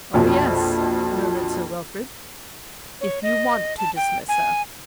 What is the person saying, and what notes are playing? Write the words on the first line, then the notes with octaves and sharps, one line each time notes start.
"Oh yes," murmured Sir Wilfrid, "if you want to dismiss her."
A#1 F2 B2
C#5
D#5
A5
G5
G#5